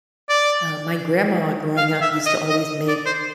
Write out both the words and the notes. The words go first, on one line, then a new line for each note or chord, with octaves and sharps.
uh, my grandma growing up used to always make
D5
F5
E5
D#5
D#5
D5
C5